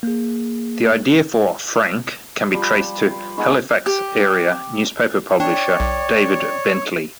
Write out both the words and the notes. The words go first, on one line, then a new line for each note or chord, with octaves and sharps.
The idea for "Frank" can be traced to Halifax-area newspaper publisher David Bentley.
A#3 G#4
F3 G3
B4
D#3 G#3 B3 C#6
G4
D4 C#5 D5 G5
B1